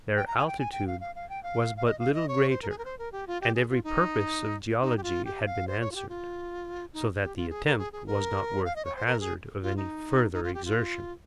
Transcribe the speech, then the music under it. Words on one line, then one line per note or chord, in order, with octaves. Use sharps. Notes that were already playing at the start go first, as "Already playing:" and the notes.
Their altitude was but little greater, and every purpose of geology had been answered; so that the attempt was not worth the hazard of any further exertion.
G5
A#5
G#5
G5
G#5
G5
F5
F5
F5
G5
F5
F5
D#5
F5
D#5
C#5
C5
A#4
G#4
A#4
C5
A#4
G4
F4
G4
G#4
F4
D#4
D#4
G4
F4
G4
F5
C5
C#5
F4
G4
F4
D#4
G4
F4
G#4
A#4
G#4
G#4
A#4
F5
D#5
C#5
C5
A#4
G#4
F4
D#4
D#4
F4
G4
F4